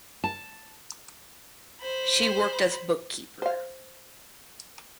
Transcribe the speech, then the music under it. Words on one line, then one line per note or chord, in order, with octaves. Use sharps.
She worked as bookkeeper.
A5
C5 B5
C5 F5